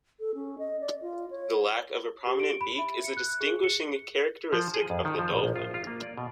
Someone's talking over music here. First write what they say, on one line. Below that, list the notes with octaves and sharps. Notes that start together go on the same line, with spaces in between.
The lack of a prominent beak is a distinguishing characteristic of the dolphin.
A4
C#4
D#5
D5
F4
C#5
G4
D7
B5
E5
C#7
F#6
G#4
C#7
F3
G#4
F2
D#3
F3
A#1
A#1
F4
F4
A#3
D5
B2